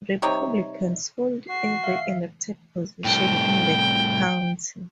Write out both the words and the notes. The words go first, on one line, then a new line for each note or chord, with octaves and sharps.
Republicans hold every elected position in the county.
C3 G3 D#4 C#5
F#4 C7
E5 F5
C2 A2 G5